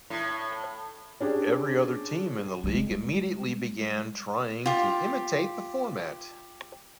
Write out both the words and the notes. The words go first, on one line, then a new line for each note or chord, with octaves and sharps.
Every other team in the league immediately began trying to imitate the format.
A2
C#4 D4 G4 G#4
G3 G#3
F4 G4